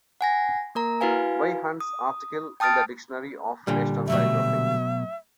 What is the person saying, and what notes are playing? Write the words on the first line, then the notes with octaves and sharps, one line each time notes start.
W. Hunt's article in the "Dictionary of National Biography".
F#5 G#5 A#6
A#3 A#4 A#5
E4 F#4 B4 F5 G#5
D#6
G5 A5 D#6 F6 A6 D7
A#2 D3 G3
B2 F#3 A3 E5